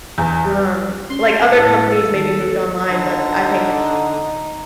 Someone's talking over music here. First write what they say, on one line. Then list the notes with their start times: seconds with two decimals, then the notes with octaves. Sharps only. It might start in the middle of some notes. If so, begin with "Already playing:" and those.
Um, like, other companies maybe moved online, but I think
0.18 E2
0.44 G3
1.10 C#4 C6
1.51 A2 A4
2.08 D#2
2.90 D3 D#4